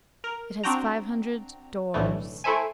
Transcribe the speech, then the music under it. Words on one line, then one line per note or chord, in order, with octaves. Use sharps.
It has five hundred doors.
A#4
C4 D4 F#4 G5 A#5
B1 A2 D3 E3 A3
A3 E4 A4 C5 E5 G#5